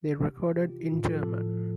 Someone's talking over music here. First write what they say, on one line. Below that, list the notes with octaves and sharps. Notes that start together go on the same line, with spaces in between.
They recorded in German.
C3 G4
E3
C3 G4
F4
E3
E4
A2 F4
A4
F3
A4
A2
F3